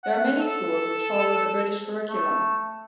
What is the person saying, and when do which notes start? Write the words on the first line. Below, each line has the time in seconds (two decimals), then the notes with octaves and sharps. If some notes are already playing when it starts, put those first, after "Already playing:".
There are many schools which follow the British Curriculum.
0.04 F#5
0.41 A4
2.10 A3